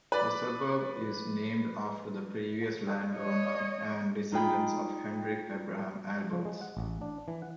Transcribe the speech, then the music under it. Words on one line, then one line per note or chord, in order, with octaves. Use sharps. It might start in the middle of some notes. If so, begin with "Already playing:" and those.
The suburb is named after the previous landowner and descendants of Hendrick Abraham Alberts.
B4 D5
C#5 D#5
D#4 F4 G#4 G5 B5
F3
G#3
F#5
A1
D4
E3
F#5